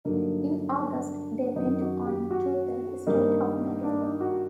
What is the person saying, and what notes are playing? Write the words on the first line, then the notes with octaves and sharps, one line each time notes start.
In August they went on to the Strait of Magellan.
G2 D3 F#3 A#3 D#4
D#4
D4
F#2 D#3 F#3 D#4
F#4
G4
F#4
G2 D#3 G3 A#3 D#4
D4
D#4
F#4